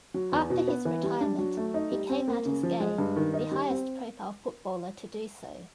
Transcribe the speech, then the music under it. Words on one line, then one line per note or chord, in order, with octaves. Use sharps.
After his retirement, he came out as gay, the highest-profile footballer to do so.
F#3
E2
B2
B3
E3
G3
D4
F#3
A3
D#4
G3
C4
A#3
C#3
F3
G#3
G2
D#3
D#4
G3
C4